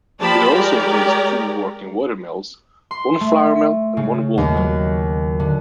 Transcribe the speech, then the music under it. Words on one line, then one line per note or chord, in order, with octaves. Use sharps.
It also includes two working water mills: one flour mill and one wool mill.
F3 A#3 G4 D5 A5 B5
G#3 G4 A#4 D5
C6
A3
C#3
D#2
F#3
D3